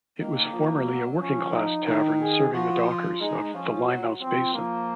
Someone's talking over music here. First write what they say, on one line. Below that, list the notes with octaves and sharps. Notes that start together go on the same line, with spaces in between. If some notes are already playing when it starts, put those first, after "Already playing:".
It was formerly a working-class tavern serving the dockers of the Limehouse Basin.
D#3 A#3
F3
F#3
F3 C#4
D#4
D#3 D#4
G#4
F3 F#4
F4
G#3 D#4
F3 C#4
F#3
F3 C4
F3 A#3